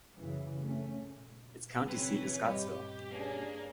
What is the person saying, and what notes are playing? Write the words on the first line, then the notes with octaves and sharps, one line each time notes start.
Its county seat is Scottsville.
F#2 C#3 E3
A3 C#4
C#3 E3 F#3 C4 B4 C#5 G5
G2 G3 G4 D#5
A#3 C#4 D4 G#4 B4